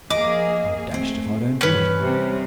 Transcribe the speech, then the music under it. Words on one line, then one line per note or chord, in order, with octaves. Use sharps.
'I'm dashed if I don't do it.
F3 A#3 G#4 D#5 D6
A3 C4 G#4
G2 E3 C#4 B4
C3 G3